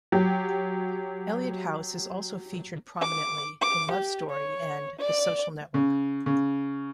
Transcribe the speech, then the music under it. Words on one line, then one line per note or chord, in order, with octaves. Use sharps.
Eliot House is also featured prominently in "Love Story" and "The Social Network".
F#3 G4
D6
D6
G4
C#5
D5
C#3
C#3